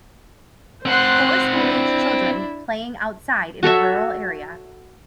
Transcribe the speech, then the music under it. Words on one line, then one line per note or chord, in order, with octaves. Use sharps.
Four school aged children playing outside in a rural area.
C4 C5 F#5 C6 F#6
D4 E4
F#4 A4 C#5 E5